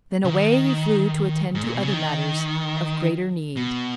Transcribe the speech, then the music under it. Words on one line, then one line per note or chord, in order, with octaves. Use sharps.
Then away he flew to attend to other matters of greater need.
C#3
D#3
G#2
A#2
B2
C#3
D#3
B2